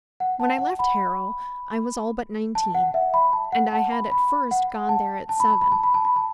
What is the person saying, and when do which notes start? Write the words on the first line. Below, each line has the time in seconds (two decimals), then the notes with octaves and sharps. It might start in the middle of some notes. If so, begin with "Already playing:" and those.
When I left Harrow I was all but nineteen, and I had at first gone there at seven.
0.20 F#5
0.40 A5
0.58 F#5
0.79 B5
2.55 A5
2.75 F#5
2.94 E5
3.14 B5
3.33 A5
3.52 F#5
3.72 A5
3.92 B5
4.12 B5
4.51 F#5
4.89 A5
5.29 A5
5.40 B5
5.50 A5
5.61 B5
5.72 A5
5.83 B5
5.94 A5
6.05 B5
6.16 A5